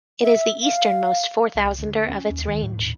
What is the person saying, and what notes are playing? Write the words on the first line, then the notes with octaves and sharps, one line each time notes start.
It is the easternmost four-thousander of its range.
E5
F5
C2
D2
C#4
D#2
D#3
A2
D#1